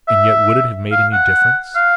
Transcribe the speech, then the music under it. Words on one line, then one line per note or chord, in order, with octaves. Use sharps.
And yet would it have made any difference?
E5
F5
F#5
F5